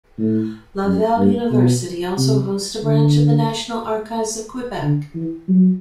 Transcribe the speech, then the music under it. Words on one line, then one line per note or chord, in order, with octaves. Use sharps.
Laval University also hosts a branch of the National Archives of Quebec.
A2
F#2
G2
B2
C3
D3
D3
E3
F#3